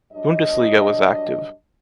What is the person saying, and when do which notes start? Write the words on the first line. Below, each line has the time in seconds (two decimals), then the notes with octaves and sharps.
Bundesliga was active.
0.13 G2 F#3 D4 D#5